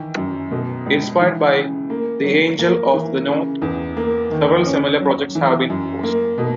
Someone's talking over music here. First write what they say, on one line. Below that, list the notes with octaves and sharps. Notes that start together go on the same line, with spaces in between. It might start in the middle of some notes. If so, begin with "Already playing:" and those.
Inspired by the "Angel of the North", several similar projects have been proposed.
Already playing: D#3 E3
F#2
B2
C#2
E3
C#3
A#3
F#3
A#3
E3
C#3
E2
A#3
D#3
C#4
F#3
E3
F#2
A#3
B2